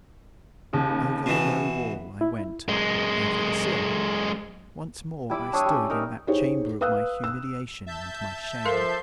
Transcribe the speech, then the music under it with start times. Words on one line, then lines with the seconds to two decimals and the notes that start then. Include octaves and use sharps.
Over the low wall I went, over the sill,--once more I stood in that chamber of my humiliation and my shame.
0.73 D#2 C#3
1.26 B2 E3
2.21 E4
2.68 F#2 G#3
5.30 G3 E4 B5 D6
5.53 D4 C#5 E5 D#6
5.66 G3 C#4
5.90 D#4 A#4
6.27 D#4 E4 G4 G#4 C5 C#5
6.81 B4 F5 D#6 E6 F#6
7.24 E6
7.87 E5 A5 G6
8.65 F3 A4 A#4 F5 C6